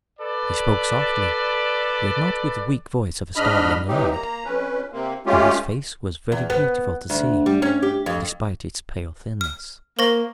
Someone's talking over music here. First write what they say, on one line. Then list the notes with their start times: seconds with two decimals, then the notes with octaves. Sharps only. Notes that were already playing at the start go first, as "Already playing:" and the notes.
He spoke softly, yet not with the weak voice of a starving lad; and his face was very beautiful to see, despite its pale thinness.
0.20 A4 B4 D5
3.35 G#2 D4 D#5 B5 F6
3.88 C3 E3 F#3 G3 D#4 G4
4.12 A#3 A#5
4.45 F2 C#4 B4
4.92 C3 A#3 C4
5.26 G#3 A3 C#4 F4 G4
6.32 E2
6.50 B3
7.10 D2
7.46 G3
7.62 C#4
7.82 G4
8.06 F2
9.41 F6
9.99 A#3 C5 C#6 A#6